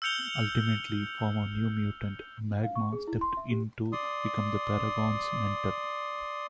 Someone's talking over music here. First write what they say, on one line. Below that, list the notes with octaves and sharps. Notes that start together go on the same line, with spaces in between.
Ultimately, former New Mutant, Magma stepped in to become the Paragons' mentor.
E6 F6 G6 C#7 F7 G7
F5
C#6
G#4
E4
C6
E5
G4
D5 C6 D#6